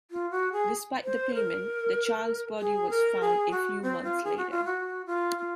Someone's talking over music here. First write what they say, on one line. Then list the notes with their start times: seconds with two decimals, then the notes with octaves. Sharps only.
Despite the payment, the child's body was found a few months later.
0.11 F4
0.31 F#4
0.52 G#4
1.04 C5
1.34 A#4
2.59 G#4
2.90 A#4
3.21 G#4
3.51 F#4
3.82 C4
4.04 F4
4.24 G#4
4.37 F#4
4.51 F4
4.65 F#4
5.06 F4
5.38 F4